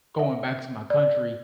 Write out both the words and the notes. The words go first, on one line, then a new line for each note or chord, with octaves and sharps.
going back to my country
E5
D5